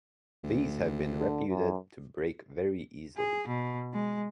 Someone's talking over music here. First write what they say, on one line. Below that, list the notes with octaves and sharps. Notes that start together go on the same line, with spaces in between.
These have been reputed to break very easily.
D2
D3
F#2
G#4
B2
G#3